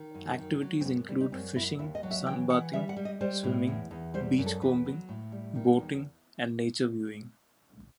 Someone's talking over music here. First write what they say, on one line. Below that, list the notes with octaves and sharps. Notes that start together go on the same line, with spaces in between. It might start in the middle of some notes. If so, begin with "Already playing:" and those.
Activities include fishing, sunbathing, swimming, beachcombing, boating and nature viewing.
Already playing: D#3
F#2
D#3
F#3
C4
F#2 B3
B3
G3 C4
D#4
F#2 C4
F#2 E4
D#2 E4
D#5
F#3
E5
E3 G5
E3 F#5
G3 E5
F#5
G3
D#5
G3 C5
A2
E2
E2
G3 C5
F#2
A4
E2 B4
F#3
A2
G3
D#3
E2